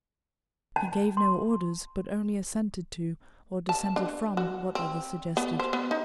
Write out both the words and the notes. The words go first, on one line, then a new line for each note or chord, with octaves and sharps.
He gave no orders, but only assented to or dissented from what others suggested.
A5
C6
A5
D4
F#4
C4
B3
C5
B3
D#4